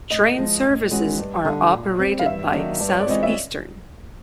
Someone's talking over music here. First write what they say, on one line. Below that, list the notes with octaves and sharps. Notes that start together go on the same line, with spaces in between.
Train services are operated by Southeastern.
A2 D#5
F3 G#3
A2
E3 G#3 C#4 F#4
G2
D3 G3
A#2
G3 C4
F5
G2 E5
D#3 F#3 A#3 D4
G2
C#5
D5
E3 G#3 C4 F4 D#5
E5